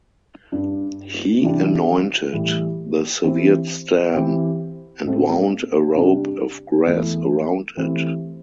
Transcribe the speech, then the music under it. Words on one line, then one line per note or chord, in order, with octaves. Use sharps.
He anointed the severed stem and wound a rope of grass around it.
G2 G3 D4
C3 E3 G3 D4 G4
A2 E3 G3 E4
E3 C4 G4
E3 C4 G4
A2 A3 C4 G4
C3 G3 D4 G4
E2 E3 A3 E4
E3 A3 C4 G4